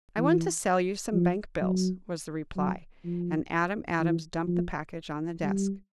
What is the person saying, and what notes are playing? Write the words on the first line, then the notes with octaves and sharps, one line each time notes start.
"I want to sell you some bank bills," was the reply, and Adam Adams dumped the package on the desk.
E3
F3
F#3
F#3
F3
E3
F3
G3